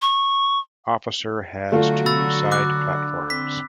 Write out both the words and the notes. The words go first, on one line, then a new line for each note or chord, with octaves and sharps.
Officer has two side platforms.
C#6
D3 F#3 A3 F4 F#4
B5 E6 A6
D6 F#6
C4 B6